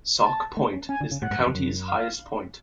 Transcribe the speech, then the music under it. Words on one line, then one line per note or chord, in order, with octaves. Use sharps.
Sauk Point is the county's highest point.
A5
A3
C#4
C#4 G#5
D3
C#3
A2 F#5
G#2
F#2
F2
F#2
F5